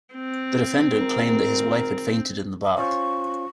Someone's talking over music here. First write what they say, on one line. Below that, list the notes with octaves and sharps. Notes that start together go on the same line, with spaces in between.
The defendant claimed that his wife had fainted in the bath.
C4
G#1 A#4
C#4 F4 C5 C#6